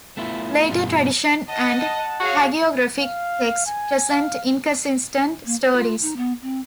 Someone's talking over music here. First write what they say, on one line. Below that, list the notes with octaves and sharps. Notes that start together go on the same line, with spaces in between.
Later tradition and hagiographic texts present inconsistent stories.
A3 B3 E4 F4
G2 B2 E3 G3 F4
D#5 F#5 A5
F#4 G#4 C#5 F5
F5
G#5
F5
A#3
C5
F4
D#4
B3
C4